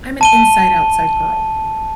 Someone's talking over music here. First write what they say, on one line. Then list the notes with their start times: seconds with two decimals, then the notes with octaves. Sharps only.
I'm an inside outside girl,
0.21 A5 D#7 G7